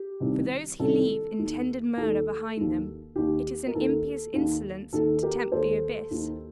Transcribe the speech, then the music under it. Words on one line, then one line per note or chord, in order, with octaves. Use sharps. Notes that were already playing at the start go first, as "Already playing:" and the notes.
For those who leave intended murder behind them, it is an impious insolence to tempt the abyss.
Already playing: G4
C2 C3 D#3
C2 C3 D#3 A4
D#2 D#3
D#2 D#3 A4
D#2 D#3
D#2 D#3 G4
A#4
D#2 D#3 A4
D#2 D#3
D#2 D#3 A4
G4 A#4
D#2 D#3 A4 C5
D#2 D#3